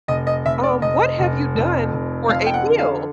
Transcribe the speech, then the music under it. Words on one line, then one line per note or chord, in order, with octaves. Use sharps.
Um, "What have you done for a meal?"
F1 D#5
D#5
F1 E5
D5
F1 D#5
F1
F2
F1
F2 F5
G5
F#5
D3
F5